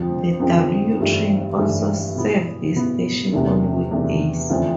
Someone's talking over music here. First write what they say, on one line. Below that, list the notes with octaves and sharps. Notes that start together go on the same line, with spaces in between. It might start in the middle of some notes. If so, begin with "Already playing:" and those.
The W train also serves this station on weekdays.
Already playing: F2 D3 F3 C4
F2 D3 F3 C4
G2 E3 A3 D4
G2 E3 A3 D4
B2 B3 E4
B2 B3 E4
E2 C3 E3 A3 D4
E2 C3 E3 A3 D4
F2 E3 A3 D4 F4